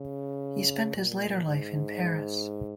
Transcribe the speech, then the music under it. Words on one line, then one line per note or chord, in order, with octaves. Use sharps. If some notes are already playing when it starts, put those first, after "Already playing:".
He spent his later life in Paris.
Already playing: C#3
A#2
G#2